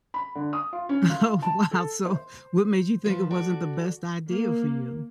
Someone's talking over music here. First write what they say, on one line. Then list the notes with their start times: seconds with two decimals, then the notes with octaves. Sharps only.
Oh, wow, so, what made you think it wasn't the best idea for you?
0.14 B5
0.35 D3
0.53 D#6
0.73 F4
0.89 C#4
1.09 F4
1.42 A5
1.71 A4
2.06 C5
3.05 F3 B4
3.31 F#4 A4 D5
4.26 A#3